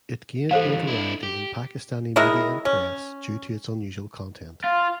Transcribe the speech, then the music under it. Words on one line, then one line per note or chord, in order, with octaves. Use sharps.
It gained notoriety in Pakistani media and press due to its unusual content.
E3 G3 A4 C5 F5
D4 E4
G4
D#3 G#3 E4 A#4
C#4
F4